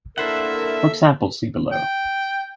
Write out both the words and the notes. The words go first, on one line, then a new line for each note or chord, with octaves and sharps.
For examples see below.
A#3 D4 E4 A4 A#4 C5 E5 F#5
G5